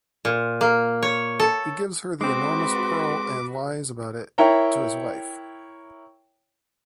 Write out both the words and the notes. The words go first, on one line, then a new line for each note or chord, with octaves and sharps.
He gives her the enormous pearl and lies about it to his wife.
A#2
A#3
C#5
A4
G#3 C4 F#4 B4 C6 D6
E4 A#4 C#5 E5 G5 A#5